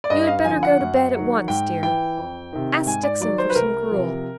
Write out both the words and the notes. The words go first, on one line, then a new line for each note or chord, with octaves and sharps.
You had better go to bed at once dear. Ask Dixon for some gruel.
D5
G2 D#5
F5
D3 F3 G#5
F#5
F#2
D#3 F#3
G#2 G5
E3 G5
F2
C3 D#3
G#2 G#5
D5
D#3 F#3 D5
C5
B4
C2 A#4
C3 F3